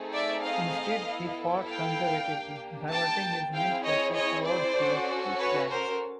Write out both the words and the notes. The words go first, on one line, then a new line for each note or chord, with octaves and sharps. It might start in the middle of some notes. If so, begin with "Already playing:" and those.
Instead, he fought conservatively, diverting his main forces towards the two flanks.
Already playing: A3 C4 D#4 G#4
D5 E5
D#5 F5
B3 E4 A4
F5 G5
A#3 D4 G4
G5 A5
C4 E4 G#4 F5 G5
C#5 D#5
C#5 D#5
C5 D5
C#4 F#4 A4
B4 C#5
A#4 C5